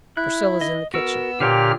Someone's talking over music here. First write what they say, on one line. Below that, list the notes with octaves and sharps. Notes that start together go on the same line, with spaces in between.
"Priscilla's in the kitchen."
E4 F#6
D#5
B3 F#4 A#4 E6
A#2 D3 G4 C#5 G5 F6